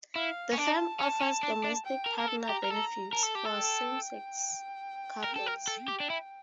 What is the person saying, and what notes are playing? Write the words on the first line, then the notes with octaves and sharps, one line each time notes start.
The firm offers domestic partner benefits for same-sex couples.
E4 F5
C#4
D4 A5
C#4 A5
C#4
D4
D4
G5
A#4
A5
A#4
A4
A#5
G4
A#4
A4 A#5
A#4 A5
A4
G4
A4
G5
A#4
A4
A#4
A4
G4
D4
E4